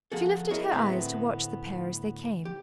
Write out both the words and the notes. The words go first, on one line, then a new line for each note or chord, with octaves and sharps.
She lifted her eyes to watch the pair as they came.
F3 A#3 F#4 G#4 A4
E4 F#4 G#4 A#4 C#5 D#5
D2 A2 B3 C4 E5 A#5
G4